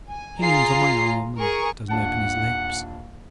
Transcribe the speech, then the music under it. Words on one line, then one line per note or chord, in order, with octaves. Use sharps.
He leans on my arm, and doesn't open his lips.
G#5
F4 G#4 A#5 C7
G#4 A#4 C#6
D#1 D4 F#5 A5